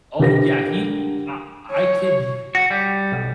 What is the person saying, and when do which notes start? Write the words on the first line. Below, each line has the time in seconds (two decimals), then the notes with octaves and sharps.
Oh yeah, he I I could d
0.19 D3 G4 A#4 B4 A#6
1.72 C#5
2.55 F#4
2.71 G3
3.12 B1